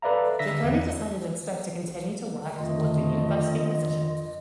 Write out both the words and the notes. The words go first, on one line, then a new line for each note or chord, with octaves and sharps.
Jacobi decided instead to continue to work towards a University position.
A4 B4 D5 E5 F5 A#5
D3 E5 A#6 B6
E2
F2 D3 D#3 A3 F4 D#5